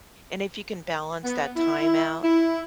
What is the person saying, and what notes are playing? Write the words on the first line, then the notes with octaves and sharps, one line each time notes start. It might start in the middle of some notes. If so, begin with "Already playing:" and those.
And if you can balance that time out
B3
E4
E4